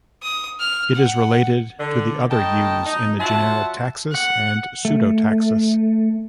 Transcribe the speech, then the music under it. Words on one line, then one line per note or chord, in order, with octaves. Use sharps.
It is related to the other yews in the genera "Taxus" and "Pseudotaxus".
D#6
F6
F#5
D3
A2 D#4 D#5 G5 A5
D#4
F#3 F4 C5 E5 F#5 A5
F#5
A3